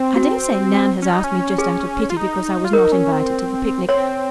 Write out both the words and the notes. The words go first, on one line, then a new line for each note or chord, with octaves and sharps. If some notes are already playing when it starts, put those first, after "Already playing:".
I dare say Nan has asked me just out of pity because I was not invited to the picnic.
Already playing: C4
F#4
C#4
D#4
C#4
G#4
F4
D#4
F4
D#4 A#4
C#4
C4
C4 C#5